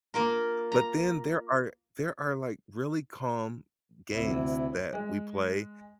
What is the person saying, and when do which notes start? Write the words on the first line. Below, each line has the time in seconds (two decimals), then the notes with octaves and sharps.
But then there are there are like, really calm games that we play
0.14 A#3 F4 A#4
0.72 A#5
4.10 D2 C3 E4
4.93 G#3